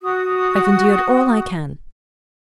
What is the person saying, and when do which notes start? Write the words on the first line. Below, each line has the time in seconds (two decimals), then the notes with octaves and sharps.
I've endured all I can.
0.02 F#4 D#6